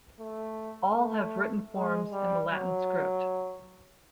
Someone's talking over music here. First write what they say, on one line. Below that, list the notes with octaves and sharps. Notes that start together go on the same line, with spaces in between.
All have written forms in the Latin script.
A3
A3
G#3
G3
F#3